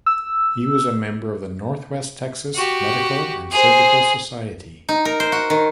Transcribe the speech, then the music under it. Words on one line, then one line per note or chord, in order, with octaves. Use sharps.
He was a member of the Northwest Texas Medical and Surgical Society.
E6
F#4 G4
G#4 C5
D#4
A#4
C5
F#4
D#3